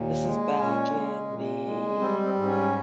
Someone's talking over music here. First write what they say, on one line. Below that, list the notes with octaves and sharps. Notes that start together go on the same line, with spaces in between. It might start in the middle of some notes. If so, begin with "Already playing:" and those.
this is back in the
Already playing: D#2 A#2
G#3
A#2 C#4
G#3
A#2
G#3
G3 C4
C4
G#2
C4
C#4